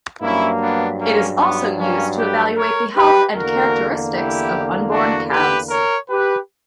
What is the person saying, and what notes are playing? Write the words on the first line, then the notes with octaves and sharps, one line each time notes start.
It is also used to evaluate the health and characteristics of unborn calves.
G2 F#3 A#3 C#4 E4
B3 D4
A#3 C#4
B3
A#3 C#4
G4 B4
A#4 C#5
G4 B4
E2 D3 A#3 F#4 A#4
E4 G4
D4 F#4
G4 B4
A#4 C#5
G4 B4